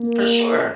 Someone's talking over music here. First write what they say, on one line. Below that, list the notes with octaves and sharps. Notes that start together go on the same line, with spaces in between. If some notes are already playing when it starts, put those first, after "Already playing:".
For sure.
Already playing: A#3